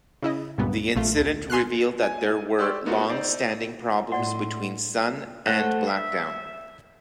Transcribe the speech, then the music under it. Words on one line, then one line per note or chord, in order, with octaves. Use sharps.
The incident revealed that there were long standing problems between Sun and Blackdown.
C#3 E4 D#5
C#2 G2 A#2 B3
A#1 A3 F4
D2
G#5 C6 F6 F#6
G#5
G4 D5 C6 C#6 E6
A#3 B3 D#4 F4 F#4 A4
D#4 C5 D5
A2 D5 D#5 F#5 C6
A3 C5 F#5 F#6 G6
E5